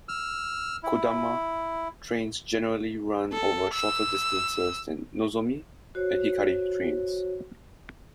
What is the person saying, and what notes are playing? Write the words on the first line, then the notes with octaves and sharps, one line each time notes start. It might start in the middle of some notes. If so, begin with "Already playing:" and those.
"Kodama" trains generally run over shorter distances than "Nozomi" and "Hikari" trains.
E6 F6
E4
A4
E6
F#4 C5 C#5